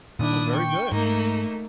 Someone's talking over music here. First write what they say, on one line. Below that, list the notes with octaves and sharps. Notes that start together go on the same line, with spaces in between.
Oh, very good.
A#2 D#3 D4 E4 D#6
G5 C#6
G#2 A3 A#3 D#4